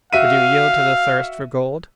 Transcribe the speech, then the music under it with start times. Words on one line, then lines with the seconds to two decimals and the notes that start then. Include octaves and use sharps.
Would you yield to the thirst for gold?
0.13 F#4 E5 F5 D#7